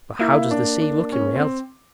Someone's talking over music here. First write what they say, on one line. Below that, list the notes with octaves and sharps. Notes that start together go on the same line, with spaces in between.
But how does the sea look in reality?
A#3 E4
D4
D4
C#4
C4